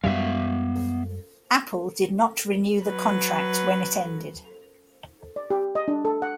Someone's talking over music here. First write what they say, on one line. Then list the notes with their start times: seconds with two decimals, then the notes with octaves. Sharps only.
Apple did not renew the contract when it ended.
0.04 F#2 G3 G#3 B3 E5 F5
2.83 F#3 B4
5.36 D5
5.50 G4
5.75 D#5
5.88 D4
6.05 A4
6.22 F#5